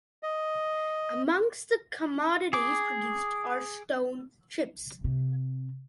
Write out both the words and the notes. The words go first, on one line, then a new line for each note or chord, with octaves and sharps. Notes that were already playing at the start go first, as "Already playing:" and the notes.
Amongst the commodities produced are stone chips.
D#5
G#4 D6
C3